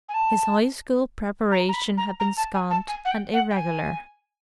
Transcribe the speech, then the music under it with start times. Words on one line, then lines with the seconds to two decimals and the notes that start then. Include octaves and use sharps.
His high school preparation had been scant and irregular.
0.09 G#5
0.14 A5
1.51 A#5
1.68 A#5
1.73 B5
1.97 A#5
2.20 A#5
2.37 A5
2.54 G#5
2.70 A5
2.88 G#5
3.05 F#5
3.11 G5
3.33 F#5
3.50 G5
3.56 G#5